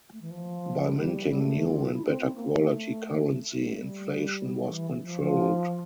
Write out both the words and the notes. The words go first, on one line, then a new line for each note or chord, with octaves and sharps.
By minting new and better quality currency, inflation was controlled.
A3
E3
F3
G3
A3
G3
G3
A3
F4
E4
D4
C4
C4
A#3
A3
G3
A3
G3
E3
F3
F3